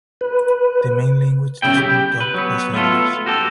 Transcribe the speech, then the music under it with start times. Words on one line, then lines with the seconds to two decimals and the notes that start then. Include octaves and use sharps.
The main language the school taught was English.
0.21 B4
1.62 B1 C#3 E4 G5
1.77 G4
2.20 B4
2.34 F#3 B3
2.74 A3 B3 F4 A4
3.26 F#4 G4 A4